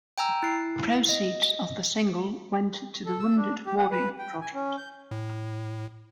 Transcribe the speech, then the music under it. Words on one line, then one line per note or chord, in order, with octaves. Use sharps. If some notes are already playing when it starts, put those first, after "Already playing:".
Proceeds of the single went to the Wounded Warrior Project.
G5 G#5 A#5 E6
E4 C7
D#5
A4
E6
D4
G4
F#5
B4
G5
G#5
C#4
G6
A2